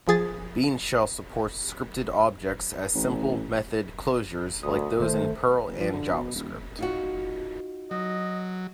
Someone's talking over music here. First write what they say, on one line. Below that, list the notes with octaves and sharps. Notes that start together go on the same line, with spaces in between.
BeanShell supports scripted objects as simple method closures like those in Perl and JavaScript.
F3 G#4 A6
A1
D2 D#6
G1 D#3 A3 C5
F#1
F3
D3
B2
D#1
D#4 F4 F#4
F#3 D#5